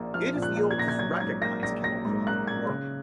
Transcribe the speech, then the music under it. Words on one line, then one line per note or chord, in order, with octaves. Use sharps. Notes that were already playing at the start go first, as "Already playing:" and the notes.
It is the oldest recognised kennel club in the world.
Already playing: A#1 A#2 F3 A#3
F3 F6
A#2
F#6
A#3
G#6
A#1 A#6
G#6
F#3 G#6
G#2 G#6
A#3 A#6
A#1 A#6
F#3 A#6
G#2
A#3 F#6
A#1 G#6
C#3